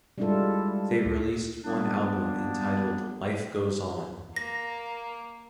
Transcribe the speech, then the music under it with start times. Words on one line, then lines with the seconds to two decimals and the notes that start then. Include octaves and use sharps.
They released one album entitled "Life Goes On".
0.18 G3 G#3 D4 E4 F4 A4
1.64 G3 A#3 B3 D4
4.36 A#3 A#6